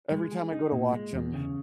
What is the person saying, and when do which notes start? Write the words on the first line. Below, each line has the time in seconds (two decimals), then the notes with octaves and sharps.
every time I go to watch 'em,
0.12 G#3
0.32 G#4
0.52 D#4
0.72 A#2
0.93 G#3
1.13 E2
1.34 C#3